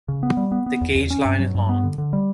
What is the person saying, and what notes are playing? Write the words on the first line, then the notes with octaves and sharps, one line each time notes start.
The gauge line is long.
C#3
B3
G3
B3
B3
E2
E2
C#4
G2
F#3
G2
B3
D3
D3
G3